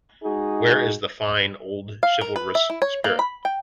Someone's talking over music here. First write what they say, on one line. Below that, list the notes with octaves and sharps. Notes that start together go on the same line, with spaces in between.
Where is the fine, old, chivalrous spirit?
G#3 D#4 F#4 G#4
F5
A#4
B4
E5
E4
C#5
A#3
B5
G5